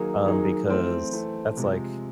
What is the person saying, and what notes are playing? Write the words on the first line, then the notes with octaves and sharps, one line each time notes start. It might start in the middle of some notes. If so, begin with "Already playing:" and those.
um, because that's, like
Already playing: D#3 F#3 A#3 D#4 G#4
D#3 F#3 A#3 D#4 G#4
E3 A3 C4
E3 A3 C4
C3 F3 G#3